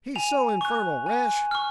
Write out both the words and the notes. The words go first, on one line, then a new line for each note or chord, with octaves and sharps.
He's so infernal rash.
G#5 F7
C#6 F#6
G#5
C#6 F6